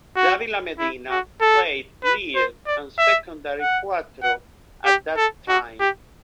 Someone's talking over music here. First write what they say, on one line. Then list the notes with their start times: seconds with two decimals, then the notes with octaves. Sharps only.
Davila Medina played lead and secondary cuatro at that time.
0.16 F#4
0.79 E4
1.11 F#4
1.41 A4
2.04 B4
2.35 C5
2.67 D5
2.98 E5
3.61 F#5
4.23 F#5
4.85 G4
5.17 A4
5.48 F#4
5.80 G4